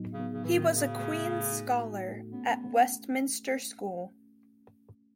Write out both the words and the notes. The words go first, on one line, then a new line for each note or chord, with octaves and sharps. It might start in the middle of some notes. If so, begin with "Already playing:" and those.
He was a Queen's scholar at Westminster School.
Already playing: A2 F#3 B3 D#4
C#3
B3
C#3
A2 E3
D#3
C#3 F#4
A3
A3
D#4
F#4
A3
B3 C#4